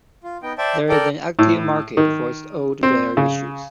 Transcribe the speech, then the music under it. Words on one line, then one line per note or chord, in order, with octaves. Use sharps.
There is an active market for its old, rare issues.
F4
B3 D#4 G5
C5 D5 E5 G5 A5
A4 A#4 D5 G5
A2
D#3
C4
C#3